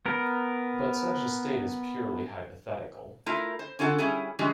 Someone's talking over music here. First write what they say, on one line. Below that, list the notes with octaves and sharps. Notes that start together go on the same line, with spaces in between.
But such a state is purely hypothetical.
B3 A#4
A3 E4 F4 A#4
C5
D3 C#4 F4 A4 F5 F#5
G3 C#4 E4 G#4
E3 F3 G3 G#3 C#4